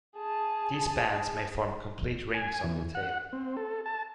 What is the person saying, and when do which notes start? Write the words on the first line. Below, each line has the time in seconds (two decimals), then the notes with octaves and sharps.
These bands may form complete rings on the tail.
0.17 G#4 A5
2.34 G#5
2.64 E2
2.95 F#5
3.33 C4
3.57 A4
3.86 A5